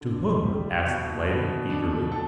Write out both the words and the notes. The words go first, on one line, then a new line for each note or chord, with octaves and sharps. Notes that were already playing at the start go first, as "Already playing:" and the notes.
"To whom?" asked the lady, eagerly.
D3
G3
B2
B2
D4
A4